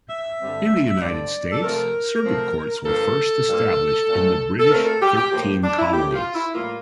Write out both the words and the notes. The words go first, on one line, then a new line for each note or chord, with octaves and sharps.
In the United States, circuit courts were first established in the British Thirteen Colonies.
E5
G2 D3 G3 C4
G2 D3 G3 C4 D5
A4
C3 F3 A3 C4 A#4
C3 F3 A3 C4
G2 F3 A#3 A4
G2 F3 A#3
A#2 A3 C4
A4
A#2 A3 C4 A#4
A4
G4
G4
A2 F3 A#3 G4
D4
E4
A2 F3 A#3 G4
F4
E4
A2 G3 A#3 F4